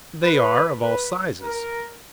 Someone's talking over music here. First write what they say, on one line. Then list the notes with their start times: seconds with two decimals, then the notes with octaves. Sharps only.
They are of all sizes.
0.23 B4
0.83 B4
1.42 A#4